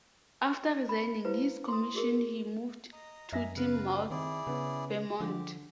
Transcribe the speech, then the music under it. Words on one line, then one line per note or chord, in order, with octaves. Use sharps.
After resigning his commission he moved to Tinmouth, Vermont.
B5
E4 B4 C5 F5
C6 D#6
F#4 G#4 A#4
D#5 A#5
F#2 E5 G#5 A#6
C#3 B3 B4 F5
D#3 C4 E4 G#4 D5
C#3 B3 C#4
D3 F3 G4